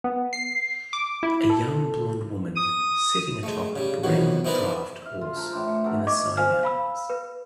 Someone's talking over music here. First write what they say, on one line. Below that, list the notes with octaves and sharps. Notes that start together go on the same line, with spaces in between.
A young blond woman sitting atop a brown draft horse in the snowy mountains.
B3
C7
D6
E4
A4
D#6
G#3 A3
C#3 G3
B1 F2 D#3 E3 F#3
C4 D#4 E4 A#4 B4 D5
E5 F5
F4
A#4 C5 A5 B5
A2 E3 D4
A3 B3 G#4 A#4
D#5 C#6 D6
C5 F5 G#5 F6
F5 B5 E6
B4